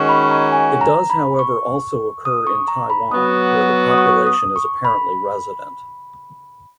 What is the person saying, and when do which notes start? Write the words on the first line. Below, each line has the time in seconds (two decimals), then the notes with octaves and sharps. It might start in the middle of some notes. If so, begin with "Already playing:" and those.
It does however also occur in Taiwan, where the population is apparently resident.
Already playing: D#3 G#3 C#4 F#4
0.09 B5
0.31 A#5
0.52 G#5
0.81 A#5
1.10 B5
1.39 C#6
2.25 D#6
2.47 C#6
2.68 A#5
2.90 B5
3.11 F#3 B3 F#4 D#6
3.91 D#6
3.98 C#6
4.27 D#6
4.56 C#6
4.85 B5